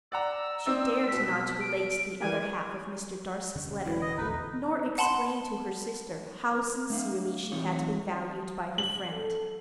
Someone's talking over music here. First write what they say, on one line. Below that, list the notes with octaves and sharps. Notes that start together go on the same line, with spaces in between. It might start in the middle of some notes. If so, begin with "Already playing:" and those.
She dared not relate the other half of Mr. Darcy's letter, nor explain to her sister how sincerely she had been valued by her friend.
D5 F#5 A#5 E6
C4 D#4 D5
B2 E6 B6
D7
E3 G3 A#3 G#5
E1 D3 C#4
E3 E4 F#4 B4
D#5
E1 A#1 A3 D#4 B4
F#5 A5 B5 C6
A#4
A3 D4 F5
E3 C4 D#4 F4 C#5
F#7
A4